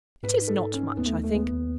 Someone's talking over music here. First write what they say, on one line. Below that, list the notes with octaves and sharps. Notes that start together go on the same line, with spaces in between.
'It is not much, I think.
G#2 B4
D#4
A4
G#2
C#4
D#4
D#2 B3
A3
D#2
A3
D#2 B3
D#2